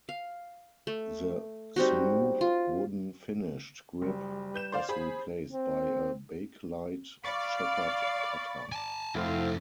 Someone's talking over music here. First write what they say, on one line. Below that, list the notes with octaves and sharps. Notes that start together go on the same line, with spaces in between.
The smooth wooden finished grip was replaced by a bakelite checkered pattern.
F5
A3
G3 C4 D#4 F#4
F4
F#1 G3
B4 G6 E7
C5 D5 F5
G#4 C5 B5
C4
D5 F5 B5 C#6 A6
G#5 A5
F2 A3 C4 E4 F#4 A4 C5 F5